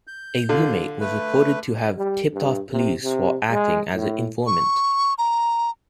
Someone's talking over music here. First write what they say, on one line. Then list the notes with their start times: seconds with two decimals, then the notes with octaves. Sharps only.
A room-mate was reported to have tipped off police, while acting as an informant.
0.07 G6
0.49 D3 F4
1.00 A3 B4
1.98 G3
2.34 G2
2.71 C3
3.03 C3
3.50 G#3
3.94 A2
4.46 C#6
5.18 A#5